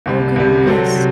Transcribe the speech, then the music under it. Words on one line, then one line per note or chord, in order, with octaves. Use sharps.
Oh, goodness.
C2 C3 G3
C2 C3 G3
C3 F#3 C4 F#4 A4
C3